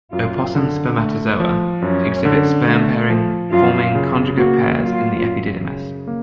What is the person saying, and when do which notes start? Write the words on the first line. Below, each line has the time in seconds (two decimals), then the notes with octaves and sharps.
Opossum spermatozoa exhibit sperm-pairing, forming conjugate pairs in the epididymis.
0.13 F#2 F4
0.55 D3
0.98 A3
1.40 F3
1.82 F#2 C#4
2.25 D3
2.67 A3
3.10 F3
3.52 F#2 F4
3.95 C#3
4.37 A#3 F#4
4.79 F#3 F4
5.22 F#2
5.64 C#3
6.07 A#3